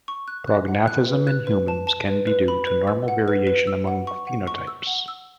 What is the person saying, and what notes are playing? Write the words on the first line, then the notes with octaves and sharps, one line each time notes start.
Prognathism in humans can be due to normal variation among phenotypes.
C#6
F#6
F#6
F#5
F#6
B4
F#6
B4
A5
A5
B4
B4
B5
B4
E6
F#5
B4
B4
E6
F#5
C#6
F#5
C#6
E6
F#5
E6